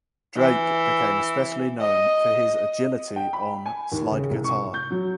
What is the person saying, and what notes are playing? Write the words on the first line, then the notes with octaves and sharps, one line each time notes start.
Drake became especially known for his agility on slide guitar.
E3
D#5
G5
B5
G#5
D#2
C#3
C2
C#6
G6
F#3